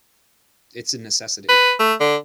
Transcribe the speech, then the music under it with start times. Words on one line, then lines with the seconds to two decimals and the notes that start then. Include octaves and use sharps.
it's a necessity.
1.49 B4
1.79 A3
2.00 D3